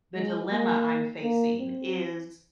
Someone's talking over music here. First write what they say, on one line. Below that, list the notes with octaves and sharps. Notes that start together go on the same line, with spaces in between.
the dilemma I'm facing is
G#3
A#3
A#3
C4